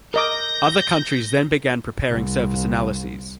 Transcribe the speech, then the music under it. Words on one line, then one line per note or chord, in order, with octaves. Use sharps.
Other countries then began preparing surface analyses.
A#4 D#5 D6 G6 A#6
C2